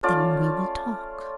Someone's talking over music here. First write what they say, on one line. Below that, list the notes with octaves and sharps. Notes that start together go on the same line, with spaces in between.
Then we will talk.
A3 C#4 F4 D5